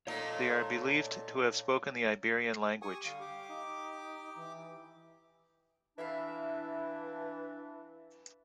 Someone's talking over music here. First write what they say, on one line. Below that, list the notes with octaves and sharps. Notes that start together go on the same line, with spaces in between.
They are believed to have spoken the Iberian language.
A#2 A3 D#4 C#5 F5 A#5
G4 G#5 C#6 D#6
D3 G3 F5
G4 D6
D#4
E3
E3 D4 E4 E5 F5